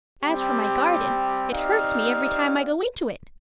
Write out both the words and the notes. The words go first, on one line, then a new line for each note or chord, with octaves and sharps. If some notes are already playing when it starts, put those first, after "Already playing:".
As for my garden, it hurts me every time I go into it.
G3 C4 G4
C4 D#4 G4 D5 F5